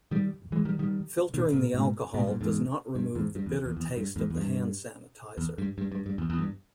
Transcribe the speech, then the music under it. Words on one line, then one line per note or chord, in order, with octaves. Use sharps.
Filtering the alcohol does not remove the bitter taste of the hand sanitizer.
D#3 G3
E3 G#3
D#3 G3
D#3 G3
B2 D#3
A#2 C#3
G#2 B2
G#2 B2
G2 A#2
E2 G#2
G2
E2 G#2
G2
E2
E2
E2
G2
E2 G#2
E2
G2
E2
G2
G2
G2
G2
E2
E2
G2